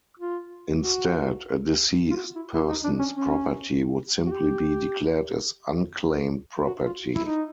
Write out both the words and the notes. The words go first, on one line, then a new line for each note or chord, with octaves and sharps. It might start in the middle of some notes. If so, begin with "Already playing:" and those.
Instead, a deceased person's property would simply be declared as unclaimed property.
F4
F#4
F4
F#4
E4
E4
D#4
D4
C#4
C#4
F#4
G4
F#4
F4
E4
D#4